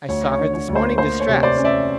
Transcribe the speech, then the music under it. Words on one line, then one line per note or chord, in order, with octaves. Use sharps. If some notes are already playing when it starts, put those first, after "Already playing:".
I saw her this morning distressed.
D2 C#5
C#5
D3
C#5
D2
C5
A#3 C5
C#5
C3
C5 D5
C#4
D5 E5